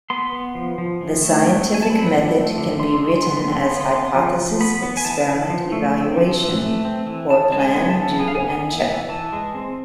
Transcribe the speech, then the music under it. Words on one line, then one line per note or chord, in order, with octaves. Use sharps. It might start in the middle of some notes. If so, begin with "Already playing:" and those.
The scientific method can be written as "hypothesis"-"experiment"-"evaluation" or plan, do and check.
B3 C6
B3
F3
F3
E3
A3
C4
E3
G#5
A5
C4 B5
F3
A3
D3
D3 C6
C6
G#3
C6
B3 C6
C6
D3
C6
C6
B3
C6
B3 C6
F3
F3
B3 B5
B3
G#5
E3 A5
E3
F3
A3
C4
F3
E3
A3
C4
E3
E3 A5
G#3 A5
G#5
B3 G#5
A5
E3
B3 G#5
F5
G#5
B3
E3
E3
E3 A5
G#3
C4